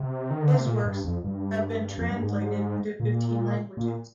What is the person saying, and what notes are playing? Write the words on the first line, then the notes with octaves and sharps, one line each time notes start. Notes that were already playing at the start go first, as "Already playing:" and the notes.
His works have been translated into fifteen languages.
Already playing: C3
D#3
D3
C3
A#2
G2
F2
G2
F2
G2
G#2
A#2
A#2